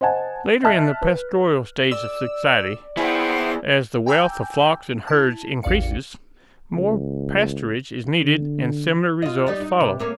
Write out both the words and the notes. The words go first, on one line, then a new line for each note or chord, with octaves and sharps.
Later in the pastoral stage of society, as the wealth of flocks and herds increases, more pasturage is needed and similar results follow.
C5 D#5 F#5 G#5 A5
D#5 E5 A5 F6 F#6 B6
B4
D5 E6
B3 E4 G#4 C5 F#5 G5
G5 G#5 A#5 D6 E6 G6
E4 A5
A1 E2 D5 F5 C#7
C#2
D3
F4 D#5
G3 D#4
D#4
C3
A3 A#3 C#4